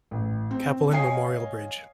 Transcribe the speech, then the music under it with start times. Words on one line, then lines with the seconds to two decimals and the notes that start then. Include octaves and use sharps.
Cappelen Memorial Bridge.
0.11 A1
0.51 C4
0.92 C#5 D#5 F5 G#5 D#6 C7